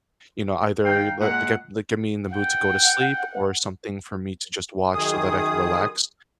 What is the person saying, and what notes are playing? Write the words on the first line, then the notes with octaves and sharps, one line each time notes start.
you know, either, l like get like get me in the mood to go to sleep or something for me to just watch so that I can relax,
D#3 F5 G5
A#2 G#3 F#5
F#5 G5
F#2 D#3 G#4 D#6